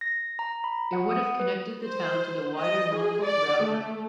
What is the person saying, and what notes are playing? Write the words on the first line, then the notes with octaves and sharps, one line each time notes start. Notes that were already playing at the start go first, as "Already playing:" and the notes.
It would have connected the town to the wider Norfolk rail network.
A#6
A#5
B5
F#5
D#6
B4
C5
D#5
G#4
D5
A3